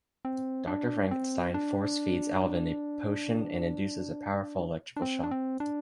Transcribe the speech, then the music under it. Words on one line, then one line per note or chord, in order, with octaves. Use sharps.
Doctor Frankenstein force feeds Alvin a potion and induces a powerful electrical shock.
C4
D4
C4
D4
D4
C4
D4
C4
D4